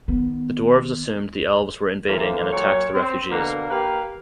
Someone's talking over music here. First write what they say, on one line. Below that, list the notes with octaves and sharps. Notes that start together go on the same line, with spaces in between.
The dwarves assumed the elves were invading and attacked the refugees.
D#3 B3
D3 E3 A#3 C4 F5
A#2 F#3 C#5
C4
B2 D3 A#3
A#3 G4 B4 F5